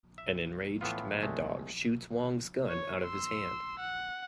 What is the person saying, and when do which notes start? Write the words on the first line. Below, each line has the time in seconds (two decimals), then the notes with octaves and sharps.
An enraged Mad Dog shoots Wong's gun out of his hand.
0.18 E5
0.81 A2 E3 B3 F4
1.22 C2 G#3 A3
2.68 C#5
3.02 C6 E6
3.80 F#5